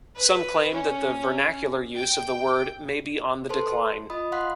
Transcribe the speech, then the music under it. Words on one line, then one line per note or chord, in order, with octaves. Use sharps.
Some claim that the vernacular use of the word may be on the decline.
B4
C#4
G5
A4 B4 C5 A5 C6
F4 D#5 B5 D#6
F5 F#5 C6 F#6 B6